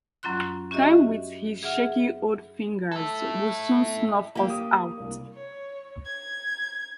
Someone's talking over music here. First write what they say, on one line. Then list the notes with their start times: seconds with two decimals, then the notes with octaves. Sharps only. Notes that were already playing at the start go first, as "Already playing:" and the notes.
Time with his shaky old fingers will soon snuff us out.
0.23 F#2 F#3 C#4 F4 C6 F#6
0.71 C#4 F#4 G4 D#5 E5
1.63 G#4 E5 F#5 F6
2.92 E4 A4
4.35 A#3 G4 A5
4.50 D#6
4.98 C2 A#3
5.34 C#5
6.05 G#6